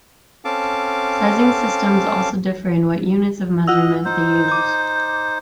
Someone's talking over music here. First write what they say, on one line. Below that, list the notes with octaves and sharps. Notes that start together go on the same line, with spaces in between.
Sizing systems also differ in what units of measurement they use.
C4 C#4 A4 F5 A5 D6
F4 D#5 F#5 E6
D#4 C5
D6 G6